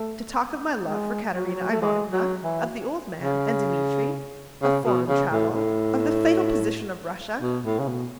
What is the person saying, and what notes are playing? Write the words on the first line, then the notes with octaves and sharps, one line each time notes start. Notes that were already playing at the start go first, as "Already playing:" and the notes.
To talk of my love for Katerina Ivanovna, of the old man and Dmitri? of foreign travel? of the fatal position of Russia?
Already playing: A3
G#3
F#3
A3
G#3
F#3
E3
C#3
C#3
B2
C#3
A2
A2
B2
A2
C#3
B2